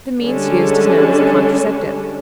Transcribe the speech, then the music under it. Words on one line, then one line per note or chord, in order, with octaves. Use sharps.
The means used is known as a contraceptive.
D3 G3 G#3 C#4 D4